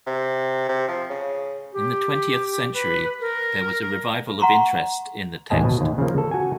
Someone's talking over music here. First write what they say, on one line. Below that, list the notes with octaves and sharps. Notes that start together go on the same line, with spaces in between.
In the twentieth century there was a revival of interest in the text.
C3
C3
F3
C#3
G4
B4
A#4
F#5 A#5 C6 C#6
A1 D#2 B3 D#5 G#5 A5
B2
D#2
C#3 F3 A#3
A4
F#4 G#5